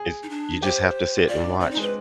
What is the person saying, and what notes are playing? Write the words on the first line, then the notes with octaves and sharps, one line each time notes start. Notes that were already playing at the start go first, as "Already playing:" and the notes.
It's j you just have to sit and watch.
Already playing: G#4
D#4
D4
G4 C5
F4 D5
D4
C4 D5
D#4
G#3
B4